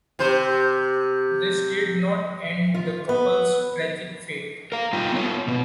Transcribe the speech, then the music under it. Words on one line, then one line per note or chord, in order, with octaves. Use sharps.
This did not end the couple's tragic fate.
C3 C5
F4
B3
A#4 F5
G3 D#4 F4 G5
B3 F4 C#5
B2 B3